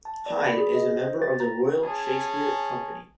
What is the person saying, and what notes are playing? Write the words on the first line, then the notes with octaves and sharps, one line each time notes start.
Hyde is a member of the Royal Shakespeare Company.
A5
D5
B5
G#4
D#5
C5
A6
A#5
C#4 G#4 A5